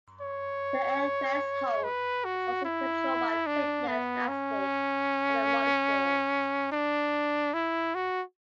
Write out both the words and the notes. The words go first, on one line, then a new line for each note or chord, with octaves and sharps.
The error threshold is also controlled by the fitness landscape for the molecules.
C#5
B4
F#4
E4
D4
B3
C#4
D4
E4
F#4